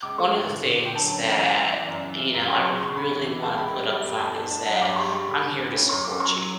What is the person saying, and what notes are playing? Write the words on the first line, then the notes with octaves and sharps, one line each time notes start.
One of the things that, you know, I really wanna put up front is that I'm here to support you,
C#2 D6
A3 C#6
G2
D3
D3
D3
G5
F#3 A5
C#4
E3 G5
E3 F#5
E3 E5
E3 D5
F#2
E3
C#3
F#2
F#3 C#6
C#3 C#6
E2 C#6
D3 B5
E3
E3
C#2 A5
C#2 B5
G3
G3
G1
G1 A5
A3 A5
D4 A5
F#3 F#5
G2 D6
G3 C#6
G3 C#6
D3 B5
D3
D2
C#4
F#2 C#6
C#4 D6
F#3 C#6
F#3